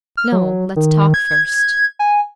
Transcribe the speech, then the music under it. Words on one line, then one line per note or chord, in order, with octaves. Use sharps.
'No, let's talk first.'
F6
F#3
D#3
G#6
G#5